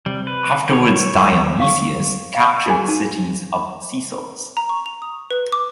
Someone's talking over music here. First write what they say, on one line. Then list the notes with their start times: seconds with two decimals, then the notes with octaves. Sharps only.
Afterwards Dionysius captured cities of Sicels.
0.06 C3 G3
0.27 B4
0.73 C#5
1.14 F#2
1.31 D#2
1.60 F5 C#6
2.35 F5
2.66 F#4 G#4 G#5
2.88 D#4 A5
4.57 A#5
4.69 C#6
4.86 F7
5.02 D#6
5.31 B4
5.52 D6